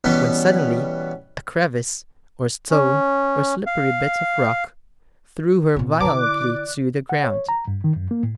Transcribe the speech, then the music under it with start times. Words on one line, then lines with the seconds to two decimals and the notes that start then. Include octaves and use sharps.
When, suddenly, a crevice, or stone, or slippery bit of rock, threw her violently to the ground.
0.04 B2 E3 G3 B3 C#4
2.71 C#4
3.66 F5
5.76 A#2 B3
6.00 D3 E4 B4 A5 A#5 D6
6.19 D5 F#6
7.09 F#5
7.24 C#5
7.49 A#5
7.68 G2
7.84 D#3
7.96 F#2
8.11 A#3
8.23 A2